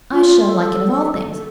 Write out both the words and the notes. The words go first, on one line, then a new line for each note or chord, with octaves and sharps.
I shall like it of all things.
F4
A4
A4